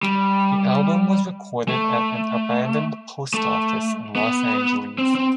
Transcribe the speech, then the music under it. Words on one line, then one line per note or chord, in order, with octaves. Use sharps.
The album was recorded at an abandoned post office in Los Angeles.
G3
A3
A3
B3
C4
C4